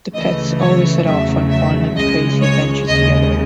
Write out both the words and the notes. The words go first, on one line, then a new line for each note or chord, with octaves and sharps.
The pets always set off on fun and crazy adventures together.
C#2 C#3 E3 A3 D#5
C#5
E2 C#3 F#3 A3 E5
E5
C#2 C#3 G#3 D#5
C#5
D#2 C#3 G#3 D#5